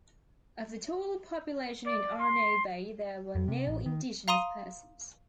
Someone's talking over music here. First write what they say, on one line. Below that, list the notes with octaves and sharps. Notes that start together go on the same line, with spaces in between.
Of the total population in Arno Bay there were no Indigenous persons.
D5
C6
F2
C3
A1
D#3
F5 A#5 C6 D#6 D#7